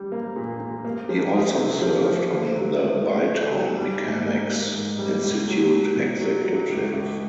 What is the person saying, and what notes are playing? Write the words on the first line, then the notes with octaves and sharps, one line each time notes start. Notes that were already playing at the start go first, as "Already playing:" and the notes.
He also served on the Bytown Mechanics' Institute executive.
Already playing: G3
A#3
A#2
A#2
A#3
F3
D#4
C3
F3
F3
D3
F#3
A3
A3
A3
F#3
G3
G#2
A#3
A#3
G#2
G3
C#2
F#3
F#3
B2
F#3
F#3
C#2
C#2